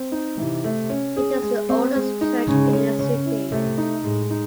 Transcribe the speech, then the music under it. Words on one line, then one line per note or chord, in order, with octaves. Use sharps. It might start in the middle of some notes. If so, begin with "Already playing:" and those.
It is the oldest church in the city.
Already playing: C4
D#4
C3 E3
A3
C#4
G#4
G#3
C4
G#3
D#4
C#3 G#3
C#4
C#3 C#4
E4
C3 A3
D#4
A2 G#3
D#4